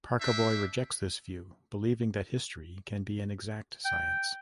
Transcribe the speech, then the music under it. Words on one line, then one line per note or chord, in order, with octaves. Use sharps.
Parkaboy rejects this view, believing that history can be an exact science.
D4 C5 E5
G5